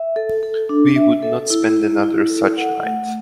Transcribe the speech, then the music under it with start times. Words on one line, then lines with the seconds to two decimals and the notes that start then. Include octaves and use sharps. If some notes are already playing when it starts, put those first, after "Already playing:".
We would not spend another such night.
Already playing: E5
0.16 A4
0.43 A4
0.69 D4
0.96 E5
1.23 A4
1.50 E4
1.77 E4
2.03 E4
2.30 A4
2.57 F#5
2.83 A3